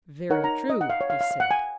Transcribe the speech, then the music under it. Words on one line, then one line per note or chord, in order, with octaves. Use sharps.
Very true, he said.
D#4 A#4 C#5 F#5
A#5
D#5
F#5
F5
C#5
F5
F5
F5
F#5
G#5